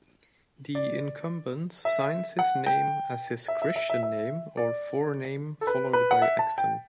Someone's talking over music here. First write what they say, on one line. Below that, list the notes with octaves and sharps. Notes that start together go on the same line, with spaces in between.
The incumbent signs his name as his Christian name or forename followed by Exon.
D5
E5
F#5
G5
E5
E5
E5
E5
E5
D5
A4
B4
B4
F#5
E5
A5
G5